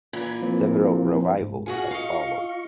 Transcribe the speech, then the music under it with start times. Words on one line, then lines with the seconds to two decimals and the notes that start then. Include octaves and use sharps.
Several revivals have followed.
0.13 A#2 E3 B5 G#6
0.42 F3 A#3 C4
1.41 G#2
1.66 F4 F#4 G#4 G#5 C#6
1.91 D#5 F5